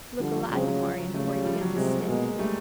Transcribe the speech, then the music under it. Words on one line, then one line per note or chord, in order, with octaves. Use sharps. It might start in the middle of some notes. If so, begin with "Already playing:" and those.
"Look alive, Marya, or you'll get the stick!"
D3 F3 G3
F3 G3
C#3 F#3 G#3
F#3
F3
F#3
C#3 G3 A3
F3 G3
F#3
C3 F#3 G#3
B2 G#3 A#3
G3 A3